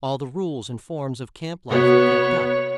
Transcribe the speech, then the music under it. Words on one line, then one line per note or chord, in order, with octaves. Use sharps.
All the rules and forms of camp-life were kept up.
C3 B3 F#4 C#5